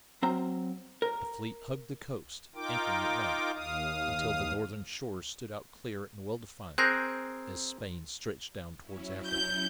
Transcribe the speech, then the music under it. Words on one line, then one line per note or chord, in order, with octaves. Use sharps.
The fleet hugged the coast, anchoring at night, until the northern shores stood out clear and well defined as Spain stretched down towards Africa.
F#3 C4 A#5
A#4
D#4 F4 A#4 G5 D6
D#2 F5 D#6
C4 G#4 A#4 F#6 G6 A#6
F#3 C#4 E4
G6